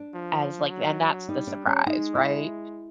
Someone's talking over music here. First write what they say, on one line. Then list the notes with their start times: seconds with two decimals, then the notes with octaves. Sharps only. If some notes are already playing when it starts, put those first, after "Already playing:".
a uh, as like and that's the surprise, right?
Already playing: D4
0.13 F3
0.70 F#3
1.29 G3 D#4
1.47 D4
1.67 C#4
1.86 G#3 D#4
2.15 E4